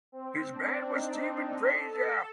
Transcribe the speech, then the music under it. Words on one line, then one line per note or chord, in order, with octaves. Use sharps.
His ban was Stephen Prasca.
C4
D4
D#4
A4